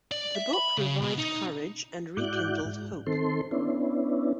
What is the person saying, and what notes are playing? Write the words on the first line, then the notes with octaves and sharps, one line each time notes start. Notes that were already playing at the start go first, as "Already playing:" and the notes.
The book revived courage and rekindled hope.
D5
E5
B5
C#3
B2
D#4
G#2 E4 F#4 D5 F#6 G6
G#2
D#3 C4 A4 C6
B3 C#4 D4 E4